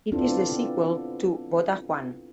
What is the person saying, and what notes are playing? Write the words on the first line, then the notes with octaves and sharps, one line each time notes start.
It is the sequel to "Vota Juan".
B3 C4 D4 E4 F4 A4